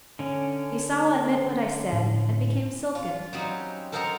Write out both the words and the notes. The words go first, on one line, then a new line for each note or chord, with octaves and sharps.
He saw I meant what I said, and became silken.
D3 C#4
A2
F4
F#3 G3 C4 C#4 D#4
A4 A#4 C5 D#5 F#5 A#5